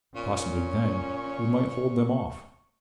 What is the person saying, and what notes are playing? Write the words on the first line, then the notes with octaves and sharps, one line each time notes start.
Possibly then we might hold them off.
A#2 C#4 C#6